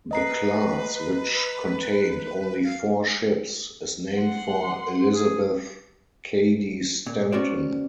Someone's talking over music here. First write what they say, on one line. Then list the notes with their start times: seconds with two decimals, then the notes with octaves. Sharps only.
The class, which contained only four ships, is named for Elizabeth Cady Stanton.
0.11 B4 D#5 A#5 C7
2.64 F5
4.16 F#5 C6
5.11 G#4
7.07 A#2
7.32 B3 C#4 F#4 C5 D5